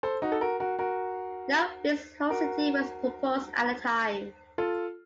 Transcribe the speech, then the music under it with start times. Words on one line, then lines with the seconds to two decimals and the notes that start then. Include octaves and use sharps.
No fixed host city was proposed at the time.
0.03 A4 C5
0.22 D#4 F#4
0.32 A4
0.41 F#4 A#4
0.60 F#4 A#4
0.79 F#4 A#4
2.30 F#4 A#4
4.58 F4 A4